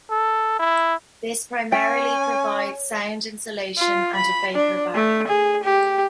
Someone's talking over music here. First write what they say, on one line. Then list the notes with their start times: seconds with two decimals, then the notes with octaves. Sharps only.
This primarily provides sound insulation and a vapour barrier.
0.10 A4
0.59 E4
1.72 C#4 C#5 G5 G#5
3.77 F4
4.16 B5
4.55 D4
4.95 A3
5.28 G#4
5.63 G4